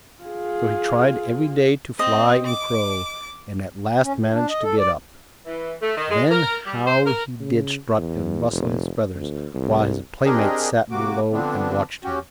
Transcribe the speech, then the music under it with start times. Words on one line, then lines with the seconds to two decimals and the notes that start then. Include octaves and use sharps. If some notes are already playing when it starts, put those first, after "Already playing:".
So he tried every day to fly and crow, and at last managed to get up; then how he did strut and rustle his feathers, while his playmates sat below and watched him.
0.24 F4 G#4
1.99 C4 D#5
2.46 D6
4.03 C#4
4.16 A2
4.32 D4
4.49 D#5
4.63 A4
4.78 D5
5.46 E3
5.81 A3
5.97 D#3
6.11 G#3
6.30 A#4
6.66 G3
6.86 C5
7.06 A#4
7.40 C#3
7.98 E2
8.51 F1
9.15 D2
9.55 C2
10.25 C4 D4 G4 G#4 A#4 D#5
10.91 C3 A#3 F#4 D6
11.32 D3 F3 B3 C4 D4
12.04 C#4 F#4 G4